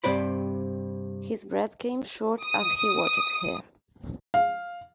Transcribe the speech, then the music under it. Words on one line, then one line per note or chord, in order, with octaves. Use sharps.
His breath came short as he watched her.
G2 C3 C5 D5 B5
D#6
F5